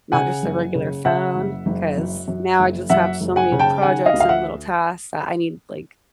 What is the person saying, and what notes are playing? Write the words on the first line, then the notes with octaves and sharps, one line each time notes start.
not just a regular phone, 'cause now I just have so many projects and little tasks that I need like"
C#3 F#5 G#5
F#1
C#3
C#3 E5 F#5
F#1
F#1
F#2
F#2
F#1
F#2 E5 F#5
F#1
F#5 G#5
C#3
G5 A5
D#3 F#5 G#5
D#5 F5
D2
F5
E5 F#5